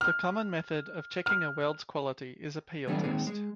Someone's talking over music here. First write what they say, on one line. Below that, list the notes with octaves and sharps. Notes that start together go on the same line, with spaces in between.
The common method of checking a weld's quality is a peel test.
F6
F6
D#3 F#3 G3 A3 B3 D4
A#2 D#3 G#3 C4 C#4
G#3